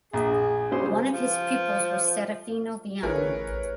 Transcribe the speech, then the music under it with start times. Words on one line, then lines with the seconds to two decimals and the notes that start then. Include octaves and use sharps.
One of his pupils was Serafino Viani.
0.13 A#1 G#4
0.71 C#3 G3 C5
1.13 F3
3.03 A1 A3 E4 G#4 A#4 B4 C#5